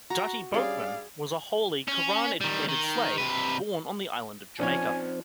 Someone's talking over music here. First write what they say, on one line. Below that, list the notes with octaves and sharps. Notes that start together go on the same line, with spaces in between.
Dutty Boukman was a Holy Koran-educated slave born on the island of Jamaica.
F#4 A#5
G3 C#4 D4 G#4 D5 F5
C#4
D#3 G3
D#3
C3 B4
A#1 F3 C4 C#4 D#4 C#5 D5 G#5